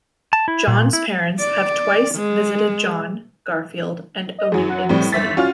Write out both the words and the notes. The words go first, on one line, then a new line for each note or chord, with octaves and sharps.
Jon's parents have twice visited Jon, Garfield, and Odie in the city.
A5
E4
A#2
E4
D5
G#3
D#5
F#2 F#3 G#4
F#5
A2 G3 C4
G1 E5 A6 B6
C#4 F4 F#4 F6